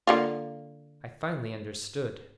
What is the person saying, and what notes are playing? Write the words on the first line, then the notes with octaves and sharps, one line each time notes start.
I finally understood!
D3 A#3 F4